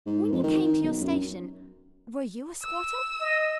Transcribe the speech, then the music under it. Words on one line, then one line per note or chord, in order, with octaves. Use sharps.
"When you came to your station were you a squatter?"
G#2
F2
D#3
B1
F#2
E6
D#5